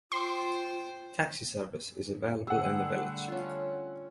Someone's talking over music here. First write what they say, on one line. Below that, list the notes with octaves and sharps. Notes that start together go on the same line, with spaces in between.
Taxi service is available in the village.
F4 C5 G5 C6
D3 G3 A3 G#4 F#5 E6
C#4 F4